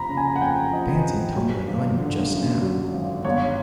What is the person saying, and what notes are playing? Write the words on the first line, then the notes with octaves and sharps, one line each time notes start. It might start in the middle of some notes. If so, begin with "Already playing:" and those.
Fancy tumbling on you just now!
Already playing: F1 F3 A#5 B5
C#3
G#5
F#5
F2 G5
F3 D#5
F1
F#3
G#1
D3
F#2
F#3
G#1
G1 C#5